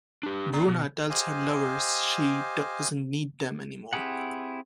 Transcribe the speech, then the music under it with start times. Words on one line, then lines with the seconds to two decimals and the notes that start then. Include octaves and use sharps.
Bruna tells her lovers she doesn't need them anymore.
0.23 D4 G4
0.53 D5 A#5
0.68 B2
1.10 G4 C5 D#5 F5 G#5
3.93 C4 E4 G4 G#4 F#5